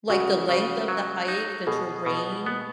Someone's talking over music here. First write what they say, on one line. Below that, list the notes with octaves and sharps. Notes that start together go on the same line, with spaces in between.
Like, the length of the hike, the terrain,
C#3 F#4
C#3
F#3
D#4
B2 G#4
B2
B3